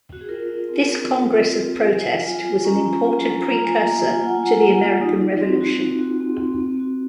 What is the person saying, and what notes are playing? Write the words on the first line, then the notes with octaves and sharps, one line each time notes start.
This congress of protest was an important precursor to the American Revolution.
F#4
G#4
F4 A#4
F4
C4
C4
C4
F4
F4
F4
F#3 G#5
F4
F4 G#5
F4
C#4 A#5
F4
F4
F#3
F4 A#5
A#3 G#5
A#3 A#5
F4 G#5
F4 F#5
G#5
A#3 F#5
A#3
F4
D#4
D#4
C4
F#4
C4
F#4
C4
C4
C4
F#4